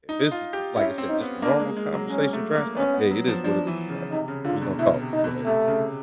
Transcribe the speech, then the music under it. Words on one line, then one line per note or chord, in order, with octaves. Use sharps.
if it's, like I said, just a normal conversation trash talk, hey, it is what it is, like, we're gonna talk, but,
D#4
F4
G4
C#4 E4
C4
D#4
B3
A#3 D4
G#3
G#3
F#3
G#3 C#4
A3
A#3
B3 C#4
B3
F#3
F3
F3 D4
E3
C#3
C3 D#4
C#3
D3 F4
B2
B2 E4
C3
D#4
B2
C3 A3
C#3